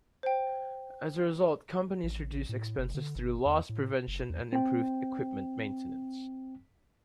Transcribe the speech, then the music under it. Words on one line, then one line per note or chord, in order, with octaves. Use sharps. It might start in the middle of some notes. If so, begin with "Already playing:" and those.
As a result, companies reduce expenses through loss prevention and improved equipment maintenance.
C5 G5
A1
A1
A2
F#1
D3
G1
E2
A2
F#1
E2
C4 G5